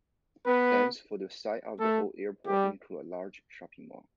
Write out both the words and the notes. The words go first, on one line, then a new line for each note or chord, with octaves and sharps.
Plans for the site of the old airport include a large shopping mall.
B3 B4
A3 A4
G3 G4